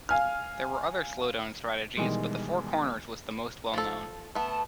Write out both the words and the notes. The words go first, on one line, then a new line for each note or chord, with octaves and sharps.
There were other slowdown strategies, but the four corners was the most well known.
F5 G#5 F6
B2 D#3 E3 G3 G#3
F3 A4
A3 B3 A5